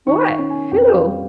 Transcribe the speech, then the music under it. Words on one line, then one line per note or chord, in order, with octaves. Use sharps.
"What? who?"
D#3 C#6
C#4
G#5
F2 G5
F5
G3